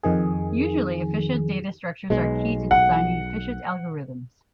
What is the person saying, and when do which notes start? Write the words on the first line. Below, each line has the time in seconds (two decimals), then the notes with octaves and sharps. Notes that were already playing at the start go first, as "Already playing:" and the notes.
Usually, efficient data structures are key to designing efficient algorithms.
0.03 F2 D#3 G#4
2.10 B1 B2 G#3
2.71 F#5